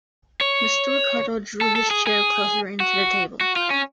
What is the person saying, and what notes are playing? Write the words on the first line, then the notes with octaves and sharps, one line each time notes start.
Mr. Ricardo drew his chair closer in to the table.
C#5
A4
A4
G#4
G#4
F#4
F#4
F4
C#4